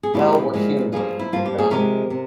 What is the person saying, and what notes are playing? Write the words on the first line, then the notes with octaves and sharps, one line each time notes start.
Well, we're human, so
G#4
A#2 F3 G#3 E4 G4
A#2 F3 G#3
G2 F3 A#3 F4 G#4
E4
G2 F3 A#3 F4
G4
G#4
C3 F3 G#3 G4 A#4
C3